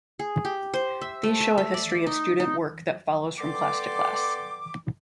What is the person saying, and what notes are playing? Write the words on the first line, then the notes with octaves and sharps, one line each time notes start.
These show a history of student work that follows from class to class.
G#4
G4
C5
E5
A3
E5
E5
D5
D#4
D#4
B3 A4 D5 G5 C6 D6